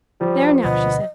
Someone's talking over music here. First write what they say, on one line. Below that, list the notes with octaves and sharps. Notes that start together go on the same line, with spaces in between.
'There, now!' she said.
F3 G3
D2 B2 D3 B3 D#5